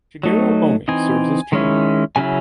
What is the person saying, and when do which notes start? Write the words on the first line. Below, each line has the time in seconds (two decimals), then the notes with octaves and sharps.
Shigeru Omi serves as chairman.
0.23 F#3 A3 D#4
0.88 E3 C4 D#4 G#5
1.52 D#3 G#3 C#4 E4
2.16 C#3 F#3 C#4 E4 G#5